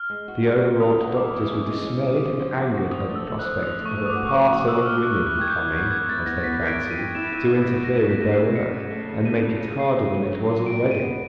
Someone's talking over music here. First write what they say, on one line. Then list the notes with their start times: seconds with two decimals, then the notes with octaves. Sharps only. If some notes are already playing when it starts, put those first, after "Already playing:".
The overwrought doctors were dismayed and angered at the prospect of a "parcel of women" coming--as they fancied--to interfere with their work, and make it harder than it was already.
Already playing: F6
0.10 G#3
0.28 F#4
0.46 G#3
0.62 C#4
0.80 E3 D#6
0.98 F#4
1.15 E3 D6
1.33 E3
1.51 C#4
1.68 G#3
1.87 C#4
2.04 C#4
2.21 F3
2.39 F3
2.57 F#4
2.74 F#4
2.91 F3 D#6
3.09 A3
3.16 E6
3.27 A3
3.39 F#6
3.45 F3
3.62 F3 D#6
3.80 A3
3.85 C#6
3.98 A3
4.05 D#6
4.10 D6
4.15 F#4
4.29 C#6
4.32 F3 D6
4.51 F#4 D6
4.68 A3 E6
4.86 D4 F6
5.03 A#4 F#6
5.20 E4
5.27 F#6
5.39 G4 G#6
5.50 G6
5.56 A#4
5.74 B3
5.91 A#4 G#6
6.09 E4 A6
6.26 B3 A#6
6.44 B3 B6
6.62 A#4
6.68 D7
6.80 A#4
6.91 D#7
6.97 G4
7.15 E4 E7
7.32 E4
7.38 D#7
7.49 E4
7.67 B3
7.84 A3 A#6
8.03 C#3
8.08 B6
8.20 A3
8.31 C7
8.38 C#3
8.55 F#3 C#7
8.74 C#3
8.90 A3
9.09 C#3
9.25 A3 D#7
9.43 C#3
9.61 C#3
9.79 C#3 C7
9.97 F#3
10.14 C#3
10.32 F#3
10.49 F#3
10.66 G3 D7
10.84 G3
10.91 D#7
11.02 B3